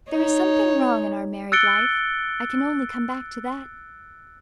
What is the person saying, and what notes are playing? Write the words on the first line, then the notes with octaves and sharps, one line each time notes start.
There is something wrong in our married life--I can only come back to that.
D#4 C#5
E6 F#6 A6 C#7 D7 G7